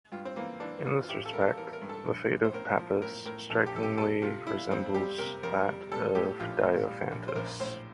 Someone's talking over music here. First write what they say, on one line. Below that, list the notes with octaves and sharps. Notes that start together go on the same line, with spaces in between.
In this respect the fate of Pappus strikingly resembles that of Diophantus.
G2 F4
C4
E3 A#3
E3 D4
E3 F4
F4
A1 G4
A4
G3 A#4
A4
E3 A#4
A#4
G2
A4
A#1
A#1
C5
A2 A#4
F3
A2 A#4
A2 A#4
A#1 A4
G4
A#1 A4
G4
G3 A4
C3 F4
G3 E4
F2 C4
G3 G4
C3 A#4
F2 A#4
G3
G3 A4
A2 G4
A#1 F4
A2
G3
A#1
C5
A#1 A#4
A2 C5